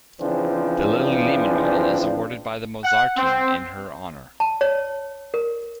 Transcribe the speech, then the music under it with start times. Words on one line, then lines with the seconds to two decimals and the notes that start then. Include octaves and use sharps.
The Lilli Lehmann Medal is awarded by the Mozarteum in her honour.
0.21 C#3 E3 F3 C4 D4
2.84 F#5
3.17 C4
4.40 A5
4.61 C#5
5.34 A#4